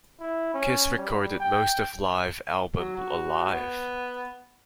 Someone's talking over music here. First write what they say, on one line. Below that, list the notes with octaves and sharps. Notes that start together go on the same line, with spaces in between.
Kiss recorded most of live album Alive!
E4
C#4
G3
G5
F#3
F#4
B3